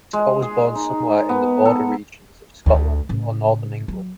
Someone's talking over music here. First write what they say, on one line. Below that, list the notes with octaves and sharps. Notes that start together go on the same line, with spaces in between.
Scot was born somewhere in the border regions of Scotland or northern England.
G#3
G#4
D#4
B3
A4
D2 D3
A2 C#3
F#3